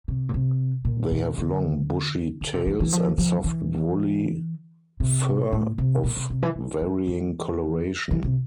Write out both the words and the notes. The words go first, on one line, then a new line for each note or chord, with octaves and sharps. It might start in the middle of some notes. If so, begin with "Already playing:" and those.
They have long, bushy tails and soft, woolly fur of varying coloration.
C3
A#2
C3
A#2
A#2
D3
D3
C3
E3
E3
F3
F3
E3
C3
A2
C3
A#2
C3
C3
E3
E3
F3
E3
E3
C3